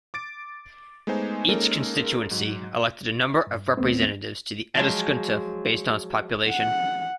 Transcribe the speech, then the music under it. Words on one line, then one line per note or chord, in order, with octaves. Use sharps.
Each constituency elected a number of representatives to the Eduskunta based on its population.
D6 A6 D7
G#3 A3 B3 D#4 C5 G#5
G#3 A#3 C#4 D#4 A4 A#4
G#2 F#3
G2
D#2 A3 B3 C4
F3 F#3 G#3
F#5